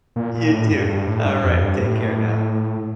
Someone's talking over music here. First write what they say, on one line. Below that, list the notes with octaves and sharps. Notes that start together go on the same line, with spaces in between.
you too, alright, take care now.
A#2
A#2
A2
G2
G2
A2
G2
F2
G2
A2